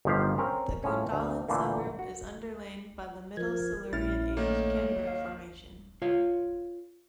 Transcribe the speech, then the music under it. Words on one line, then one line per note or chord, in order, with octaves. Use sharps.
The Gungahlin suburb is underlain by the middle Silurian age Canberra Formation.
G1 D#3 F3 G4 F5
C4 C#4 A#4
A2 F3 C#4
D2
A#2 D3 E3 A3 A#3
F#4
F3 A#4 G#6
A#1 A3 C#4 E4 F6 A6
D#3 A3 A#3 C#5
F5
F4 C#5 F5